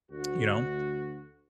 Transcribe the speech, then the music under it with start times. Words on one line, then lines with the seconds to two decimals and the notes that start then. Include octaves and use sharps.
you know,
0.11 D2 F#4